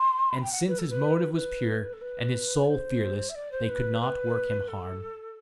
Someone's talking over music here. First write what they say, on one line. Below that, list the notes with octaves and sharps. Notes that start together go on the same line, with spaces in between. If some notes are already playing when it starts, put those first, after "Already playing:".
And, since his motive was pure and his soul fearless, they could not work him harm.
Already playing: C6
B5
G5
F#5
B4
A4
B4
B4
A4
B4
D5
C5
E5
D5
C5
B4
B4
A4